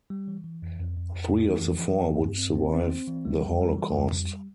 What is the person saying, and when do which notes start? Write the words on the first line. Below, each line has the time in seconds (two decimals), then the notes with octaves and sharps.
Three of the four would survive the Holocaust.
0.10 G3
0.28 E3
0.44 E3
0.62 F2
0.79 F2
0.97 F2
1.15 F2
1.32 F2
1.51 E3
1.68 F3
1.85 F3
2.03 C4
2.20 G2
2.38 C4
2.56 C4
2.73 C4
2.90 C4
3.08 E3
3.25 G3
3.43 F2
3.61 G3
3.78 E3
3.95 F2
4.13 G3